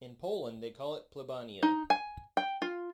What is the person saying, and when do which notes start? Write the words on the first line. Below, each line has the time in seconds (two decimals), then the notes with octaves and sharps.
In Poland they call it "Plebania".
1.63 D#4
1.90 G#5
2.37 G5
2.62 F4